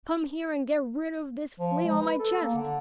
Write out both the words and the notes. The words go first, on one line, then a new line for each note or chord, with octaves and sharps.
Come here and get rid of this flea on my chest.
F3
G#3
B4
A4
A#3
D3